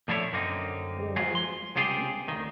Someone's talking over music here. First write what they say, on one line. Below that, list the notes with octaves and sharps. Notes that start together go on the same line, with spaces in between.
Right. Mhm.
A#2 F3 A3 D4 E4 C#5
F#2 D3 A#3 C4 D#4
G#3 A#3 F4 F#4 G#4
C6
C#2 C3 F4 G4 G#4
D2 D#3